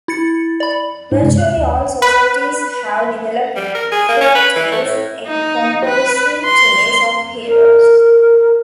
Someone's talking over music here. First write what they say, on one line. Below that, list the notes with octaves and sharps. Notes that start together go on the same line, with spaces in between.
Virtually all societies have developed folk tales encompassing tales of heroes.
E4 A6 C#7
D5 B5
G#2 D4 E4
G2 C3 G#3
F#6
D#2
B4
G3
A#4
G#4
A#3
C#4
B4
E3
A3
A2
D#4
B4
C6
A#4